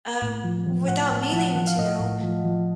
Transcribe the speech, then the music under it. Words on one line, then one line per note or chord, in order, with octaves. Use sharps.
uh, w without meaning to,
A2
F3
F3
A2 F#5
A5
A2
A5
F3 A5
F#5
F3 F#5
F5
A2 D#5
F5
A2
F3
F3